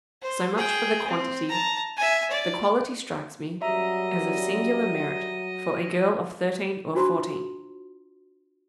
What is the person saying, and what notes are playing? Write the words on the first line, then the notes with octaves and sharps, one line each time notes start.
So much for the quantity; the quality strikes me as of singular merit for a girl of thirteen or fourteen.
C5
G#4 G5
C4
A5 A#5
E5 G#5
D5
F#2 F#3 G3 D#5 E5 A#5
D4 F4 F#4 C5 A#5 C6